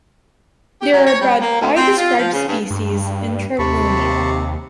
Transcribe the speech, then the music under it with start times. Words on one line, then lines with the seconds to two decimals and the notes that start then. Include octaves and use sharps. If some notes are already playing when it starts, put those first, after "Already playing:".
There are about five described species in "Travunia".
0.81 G4
0.93 F#3
1.06 C#5
1.21 G3
1.41 A#3
1.60 D2
1.76 C4
1.97 F4
2.17 F3
2.33 C#3
2.47 G2
2.70 G2
3.59 D#2 C3 A5 B5 C#6